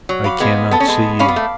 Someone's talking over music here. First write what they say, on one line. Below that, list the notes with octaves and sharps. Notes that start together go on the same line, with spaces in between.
I cannot see you.
F#3
F5 B5 D6
G#3 B3
B3 A4
C#4
G#3 B3
C#4 F5 B5 D6
B3
A3